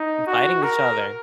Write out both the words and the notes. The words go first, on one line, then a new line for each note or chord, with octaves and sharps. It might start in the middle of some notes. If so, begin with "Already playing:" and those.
fighting each other,
Already playing: D#4
F#4
A#4